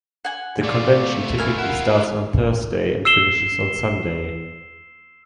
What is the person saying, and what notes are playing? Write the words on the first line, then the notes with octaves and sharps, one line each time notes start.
The convention typically starts on Thursday and finishes on Sunday.
F#5 G#5
A3 F4 D5
E4 A#4 G#5
E4 F4 F#5
E6 C7 E7 G7